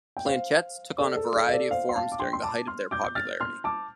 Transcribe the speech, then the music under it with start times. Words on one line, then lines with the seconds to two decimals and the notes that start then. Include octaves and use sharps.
Planchettes took on a variety of forms during the height of their popularity.
0.17 G5
0.26 C5 F5
0.98 A4 D5
1.16 A4
1.35 A4 D5
1.47 F5
1.53 A4 D5
1.70 C5 F5
1.89 C6
1.96 F5 A5
2.12 D6
2.19 G5 C6
2.33 C6
2.43 A5 D6
2.67 C6 F6
2.91 D6 G6
3.04 G6
3.15 F6 A6
3.40 C6 F6
3.64 A5 D6